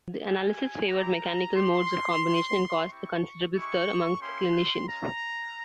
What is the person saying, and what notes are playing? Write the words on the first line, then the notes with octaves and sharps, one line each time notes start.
The analysis favored mechanical modes of combination and caused a considerable stir amongst clinicians.
G#3 E4 G4 G#5
C4 E4 G4 A#5
C4 G4 C6
G3 C#4 G4
C4 E4 G4 C#6
G#3 E4 G4 C#6
A#3 C#4 E4 G4 C6
G#3 C#4 F4 A#5